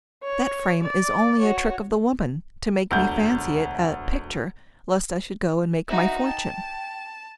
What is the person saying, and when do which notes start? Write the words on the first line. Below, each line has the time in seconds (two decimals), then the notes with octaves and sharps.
That frame is only a trick of the woman to make me fancy it a picture lest I should go and make my fortune.
0.23 C#5
0.82 D5
1.40 F#4 C#5
2.91 E1 D2 D3 G6
5.89 D#4 F#4 E5
6.25 G5 A5